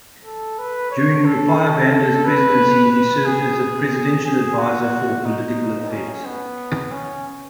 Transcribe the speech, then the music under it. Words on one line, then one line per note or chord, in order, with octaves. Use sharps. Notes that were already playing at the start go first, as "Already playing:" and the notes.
During Rupiah Banda's presidency, he served as a Presidential Advisor for Political Affairs.
A4
B4
C#5
A4
A4
B4
B4
G#4
G#4
F#4
D#4
C#4
B3
C#4